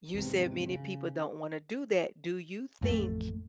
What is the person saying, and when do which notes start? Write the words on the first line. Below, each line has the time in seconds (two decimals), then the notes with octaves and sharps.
you said many people don't wanna do that. Do you think
0.14 E2 G#2 C3
0.70 C#3
2.81 A1 F2 A3